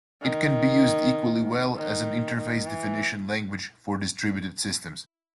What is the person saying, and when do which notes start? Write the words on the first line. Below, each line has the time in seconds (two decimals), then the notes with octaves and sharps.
It can be used equally well as an interface definition language for distributed systems.
0.22 D#3
1.76 D#3
2.37 D#3
2.67 E3